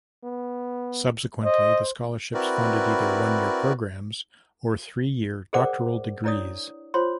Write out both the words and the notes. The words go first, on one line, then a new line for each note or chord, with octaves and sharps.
Subsequently, the Scholarships funded either one-year programs or three-year doctoral degrees.
B3
C5 D#5
C4 E4 F#4 A#4 B4 D5
G#4 A#4 C5 D5 F#5 D6
D4 E4 C#5 D5 D#6
F4 C5 C#5 C6